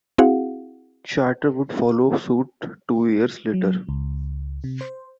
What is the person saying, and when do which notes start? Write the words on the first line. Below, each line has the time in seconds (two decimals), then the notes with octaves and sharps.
Charter would follow suit two years later.
0.18 C4 E4 F#4 G#4 F5 F#5
3.54 F#3
3.89 C#2
4.64 C3
4.81 C5